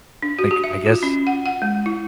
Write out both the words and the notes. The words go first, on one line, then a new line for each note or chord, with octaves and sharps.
like, I guess,
D4
F#4
G4
E5
F4
C#4
F#5
F#5
G#3
E4